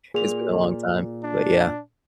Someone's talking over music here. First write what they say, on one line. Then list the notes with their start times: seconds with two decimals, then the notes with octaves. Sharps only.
it's been a long time, but yeah.
0.14 A#2 G#4 F7
1.23 D4